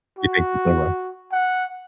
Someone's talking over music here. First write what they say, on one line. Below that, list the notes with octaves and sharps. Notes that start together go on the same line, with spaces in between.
You think the same way?
F#4
F#5